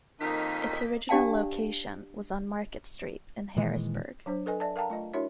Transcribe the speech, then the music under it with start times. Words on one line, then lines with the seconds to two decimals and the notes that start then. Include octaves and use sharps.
Its original location was on Market Street in Harrisburg.
0.20 F2 D#3 A#3 D#4 D#5 B6
1.09 D4 G4 D5 F5 G5 A5
3.57 A#2 D#3 E3 G#3
4.26 F#3 D4 C5
4.46 A4 B4 D#5 G#5
4.60 D5 E5 A5
4.76 A#4 F5 G5 A5 A#5
4.90 A3 F4 D#5
5.13 D4 E4 F#4 A#4 C#5 E5